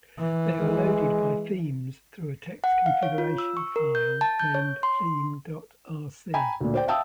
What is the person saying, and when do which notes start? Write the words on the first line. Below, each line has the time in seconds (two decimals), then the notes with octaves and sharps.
They are loaded by themes through a text configuration file named theme.rc.
0.19 E3
0.60 G#3
2.64 F#5
2.86 F5
3.03 C#5
3.18 F4
3.38 E6
3.57 C#6
3.76 A#4
3.95 G6
4.21 A5
4.39 G6
4.54 C#5
4.83 C6
6.34 G5 G#5 A#5 B5
6.61 D2 A#2
6.74 C5 D5 G5
6.88 E5 F5 G5 A5 D#6 E6